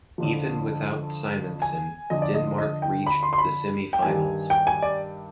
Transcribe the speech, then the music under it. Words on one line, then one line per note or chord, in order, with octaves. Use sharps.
Even without Simonsen, Denmark reached the semi-finals.
F2 D3 F3
G#5
F2 D3 F3 D#5
D5
D#5
D#5
G5
B5
C6
C6
B5
G5
G2 D#3 G3 G#5
G5
G#5
D5